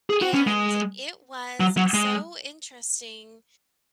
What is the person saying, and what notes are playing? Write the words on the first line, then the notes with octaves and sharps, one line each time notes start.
and it was so interesting
G#4
F#4
C#4
G#3
F#3
F#3
G#3